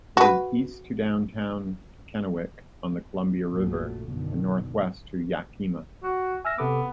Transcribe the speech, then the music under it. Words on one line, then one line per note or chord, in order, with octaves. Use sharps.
It is east to downtown Kennewick on the Columbia River and northwest to Yakima.
F#4 B4
A#1 F#2 A#2 F#3 A3
F#2 B2 D3 D#3
F#4
E5 G#5 F6 A#6
C3 B3 A4 D6